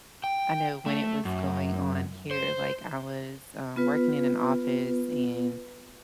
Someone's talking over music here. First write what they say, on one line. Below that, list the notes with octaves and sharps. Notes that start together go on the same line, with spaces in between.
I know when it was going on here, like, I was, um, working in an office and
G5
A3
F#2
C5
B3 F4 B4